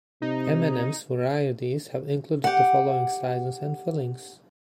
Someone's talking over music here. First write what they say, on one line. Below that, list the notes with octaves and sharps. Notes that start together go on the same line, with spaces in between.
M and M's varieties have included the following sizes and fillings.
C3 D#4
G4 F#5